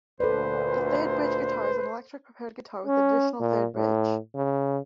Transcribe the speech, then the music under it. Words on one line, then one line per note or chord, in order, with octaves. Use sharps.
The third-bridge guitar is an electric prepared guitar with an additional, third bridge.
D2 A#2 A4 B4 C5 D5
C#4
A#2
A2
C#3